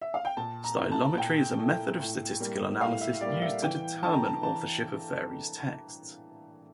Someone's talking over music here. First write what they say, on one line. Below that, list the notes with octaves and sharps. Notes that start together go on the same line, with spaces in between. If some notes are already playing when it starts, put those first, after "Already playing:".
Stylometry is a method of statistical analysis used to determine authorship of various texts.
E5
F5
G5
A#2 A5
A#5
A3 E4
A5
A#2 G5
A3 E4
A2
G3 A#3
A2 F5
E5
G3 A#3 D5
E5
E3 G5
A3 D4 A5
A#5
A5
E3 A5